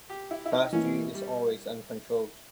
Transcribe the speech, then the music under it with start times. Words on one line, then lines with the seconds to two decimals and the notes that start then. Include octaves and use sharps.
Class G is always uncontrolled.
0.10 G4
0.31 E4
0.46 E4
0.52 D#4
0.73 E3 A#3 C#4 E4
1.15 G3